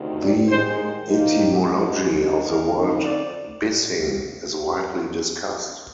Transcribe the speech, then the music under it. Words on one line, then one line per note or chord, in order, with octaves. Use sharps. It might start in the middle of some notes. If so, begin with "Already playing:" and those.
The etymology of the word "Bissing" is widely discussed.
Already playing: D2 C3 D#3
D5
D#2 D#3 G#3 C5
A#2 F3 A#3 D#4
G4
D2 D3 G#3
D#2 D3 G#3
A#4
D2 D3 F3 C4 D#4
D5